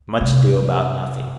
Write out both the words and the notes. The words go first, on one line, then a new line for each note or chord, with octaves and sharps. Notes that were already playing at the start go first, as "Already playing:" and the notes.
Much Ado about Nothing.
C3